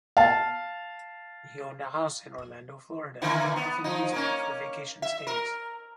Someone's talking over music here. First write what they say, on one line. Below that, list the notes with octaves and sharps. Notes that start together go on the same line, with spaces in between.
He owned a house in Orlando, Florida, and often used it for vacation stays.
F5 A5
D3 E3 A#3
B3
F3 D#4
A#3 C#4
E5
A#4